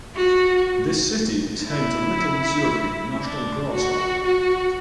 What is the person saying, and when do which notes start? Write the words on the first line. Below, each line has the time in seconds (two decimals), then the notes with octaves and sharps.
This city is home to Little Missouri National Grassland.
0.15 F#4
1.69 E4
3.21 D4
3.72 F#4
4.23 F#4